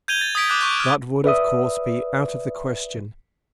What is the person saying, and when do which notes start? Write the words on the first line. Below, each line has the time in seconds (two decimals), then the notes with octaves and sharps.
That would, of course, be out of the question.
0.08 G6 G#6 D#7 F7 G7
0.21 A6
0.35 D#6 G#6 B6 D7
0.48 D6 F#6 A6
0.61 C#6 G6
0.80 F6
1.24 B4 D5 E5 D#6